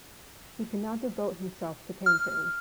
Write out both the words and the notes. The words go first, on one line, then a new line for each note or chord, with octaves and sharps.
He can now devote himself to painting.
F6